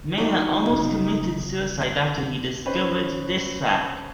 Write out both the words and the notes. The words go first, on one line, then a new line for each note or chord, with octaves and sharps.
Mayer almost committed suicide after he discovered this fact.
F#3 D4 D#4 G4
F#1 C#3
C#4 B4 C5